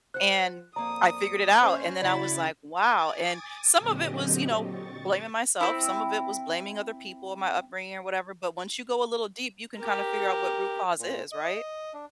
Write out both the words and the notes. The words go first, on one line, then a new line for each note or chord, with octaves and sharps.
And, I figured it out, and then I was like, "Wow." And, some of it was, you know, blaming myself, some of it was blaming other people and my upbringing or whatever, but once you go a little deep, you can kinda figure out what root cause is, right?
C5 F#5 F#6
F2 A#3 D5 A#5 D#6
C#4 C5
C#3 E4 F#4 D5 B5 A6
G#5 D6 D#6 A6
A#2 D3 F#3 C4 G4 D#5
C#6 A6
C4 E4
G4 A#4
A#2
D#5
D4